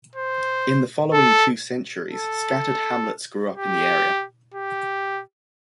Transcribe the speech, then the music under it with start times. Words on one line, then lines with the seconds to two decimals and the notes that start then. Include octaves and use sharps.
In the following two centuries, scattered hamlets grew up in the area.
0.15 C5
1.13 A4
2.10 A4
3.57 G4
4.54 G4